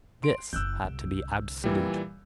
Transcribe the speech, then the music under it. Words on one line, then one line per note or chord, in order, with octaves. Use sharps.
This had to be absolute.
C6 D7
F#1 E4 E6 F#6 G6
C2 D3
A#2 E3 G3